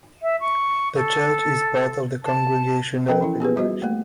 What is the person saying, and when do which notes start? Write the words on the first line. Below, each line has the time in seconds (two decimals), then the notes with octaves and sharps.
The church is part of the Congregational Federation.
0.22 E5
0.40 C#6
0.95 A4
2.23 A5
3.08 F3 C#4 A4 A#4 D#5 G5
3.21 E3 C#4 E4
3.40 B3 G4 G#4 B4
3.56 G3 F#4 C5 D#5
3.82 A3 A#3